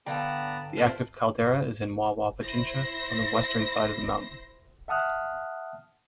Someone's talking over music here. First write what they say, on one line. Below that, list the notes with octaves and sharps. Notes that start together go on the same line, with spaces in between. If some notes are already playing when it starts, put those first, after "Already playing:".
The active caldera is in Wawa Pichincha on the western side of the mountain.
D3 B3 D5 F5 G5 A5 A#5
C4 D4 E4 F4 A4 B4 D5
E4 C5 A#6
E5 F#5 A5 D#6 F6 F#6